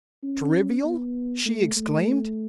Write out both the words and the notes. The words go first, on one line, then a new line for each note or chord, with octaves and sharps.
"Trivial!" she exclaimed.
C#4
B3
A3
A3